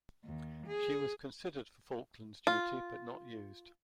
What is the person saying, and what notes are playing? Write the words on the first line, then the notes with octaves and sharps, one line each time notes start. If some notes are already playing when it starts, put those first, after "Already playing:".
She was considered for Falklands duty, but not used.
D#2
G#4
F4